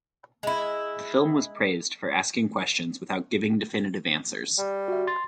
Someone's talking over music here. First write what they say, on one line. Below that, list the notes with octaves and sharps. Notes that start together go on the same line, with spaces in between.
The film was praised for asking questions without giving definitive answers.
G#3 E4
G3
F#4 E5
C6 A6